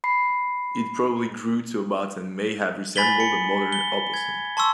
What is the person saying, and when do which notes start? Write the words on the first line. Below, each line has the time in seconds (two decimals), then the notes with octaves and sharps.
It probably grew to about and may have resembled a modern opossum.
0.04 B5 C7
2.96 G#5 B5 A6 B6 F#7 G7
3.20 C#7
3.72 G7
4.14 G#6
4.57 A5 C6 C#6 E6